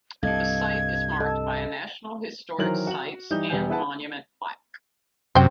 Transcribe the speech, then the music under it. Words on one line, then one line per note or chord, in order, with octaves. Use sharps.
The site is marked by a National Historic Sites and Monument plaque.
C2 G2 A4 D#5 F5 G#6
A4 D#5 A5
D#3 E3 F#3 A#4 C5 F#7
F#4 F#7
E3 G3 D#4 G6
E1 G3 B3 G#5 G6
E4 G#4 B4 F#5 A5
F#2 C3 C5 G5